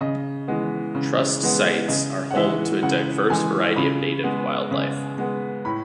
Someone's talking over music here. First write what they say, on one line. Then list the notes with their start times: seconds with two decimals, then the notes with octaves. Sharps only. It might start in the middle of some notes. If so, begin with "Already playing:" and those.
Trust sites are home to a diverse variety of native wildlife.
0.01 C#3 D#5
0.48 E3 G#3 B3
0.95 C#3
1.42 E3 G#3 B3
1.88 C#3 D#5
2.31 F#5
2.35 E3 G#3 E5
2.83 C#3 F#5
3.30 E3 G#3 G#5
3.76 C#3 B5
4.24 G#3 B3
4.71 C#3
5.18 G#3 B3
5.65 A2 B5